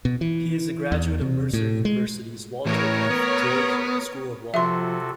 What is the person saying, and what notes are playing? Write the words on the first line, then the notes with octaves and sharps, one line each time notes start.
He is a graduate of Mercer University's Walter F. George School of Law.
B2
E3
E2
C3
A2
G#3
A2 E3 A#4 C#5
B3
C3 F3 F#4 A4 E5 C6